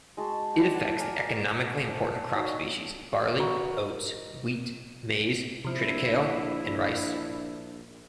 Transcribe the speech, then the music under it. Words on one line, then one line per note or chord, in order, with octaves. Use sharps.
It affects the economically important crop species barley, oats, wheat, maize, triticale and rice.
G#3 F#4 A5
G4 D5
B4 F#5 A5
A#4 D5 G#5
A4 C5
D#4 F#4 C#5 D5
F#4 B4 A#5 C#6
A#4 D#5
A#1 C3 F3 D4 E4